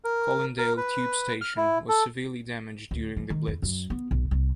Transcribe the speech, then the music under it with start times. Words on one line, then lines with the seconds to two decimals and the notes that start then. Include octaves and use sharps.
Colindale tube station was severely damaged during The Blitz.
0.04 A#4
0.58 A#4
0.77 B4
1.41 F6
1.57 E4
1.89 A4
2.91 D2
3.16 E3
3.30 D#3
3.48 E2
3.62 F#2
3.90 B3
4.11 B1
4.31 C2